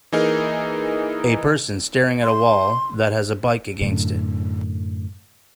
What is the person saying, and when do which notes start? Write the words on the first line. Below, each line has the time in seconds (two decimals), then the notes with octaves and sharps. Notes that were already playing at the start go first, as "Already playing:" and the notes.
A person staring at a wall that has a bike against it.
0.12 E3 A#3 D#4 G#4 A#4
2.23 C6
3.81 F#2 A2 D3